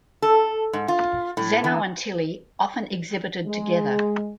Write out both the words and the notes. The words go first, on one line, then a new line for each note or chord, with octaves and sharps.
Xeno and Tilly often exhibited together.
A4
G#2
F4
A2
E3
G#3